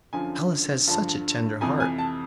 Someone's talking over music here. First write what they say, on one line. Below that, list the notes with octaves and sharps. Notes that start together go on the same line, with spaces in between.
"Alice has such a tender heart."
F#2 D3 F3 G#5
G2 D3 F3 A5
F2 C3 E3 G#5
G#5
A5